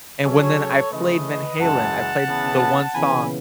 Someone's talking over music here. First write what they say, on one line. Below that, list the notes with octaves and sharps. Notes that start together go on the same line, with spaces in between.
and when then I played Van Halen, I played the one song,
C#3 F#3 C#4 A4 C#5
C#3 E3 A3 C#4 B4 D#5
F#2 C#3 E3 G#3 F#5 A5
C#3 E3 B3
C#3 E3 B3 G#5 B5